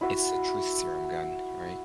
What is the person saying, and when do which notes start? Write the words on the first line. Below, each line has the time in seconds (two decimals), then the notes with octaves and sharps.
It's the truth serum gun, right?
0.01 E4 F#4 E5